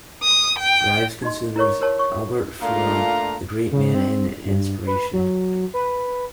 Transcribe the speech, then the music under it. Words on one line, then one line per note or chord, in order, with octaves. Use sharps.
Rives considers Albert Feraud a great man and an inspiration.
D#6
G5
D#4 G4 D#5 C6
E4 A#4 C#5 C#6
G4 A#4 C#5 A5
C#5 C#6
A#2 A3 D4 F4 F5 A#5
C#3
C4
G2
B4
F#3
B4